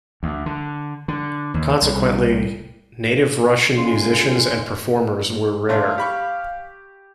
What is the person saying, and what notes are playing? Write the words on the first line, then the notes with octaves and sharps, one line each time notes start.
Consequently, native Russian musicians and performers were rare.
D2
D3
D3
D#2
C2
D3 G#3 C#4 F4 C6
C3 A3 D4 F5
G4 B5 C#6